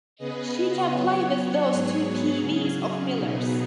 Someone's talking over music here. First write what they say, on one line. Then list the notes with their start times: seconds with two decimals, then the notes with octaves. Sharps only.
She can play with those two peewees of Miller's.
0.18 C#3 B3 G#4 B4 D#5
0.92 F#3 B3 F#4 C#5
1.66 G#2 F#3 B3 G#4 C#5
2.40 C#3 F#3 C#4 G#4
3.15 B2 F#3 B3 D#4 G#4